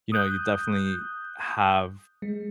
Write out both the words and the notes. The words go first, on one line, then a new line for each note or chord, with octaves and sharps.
you know, you definitely have
D#6 F#6 G6
G#3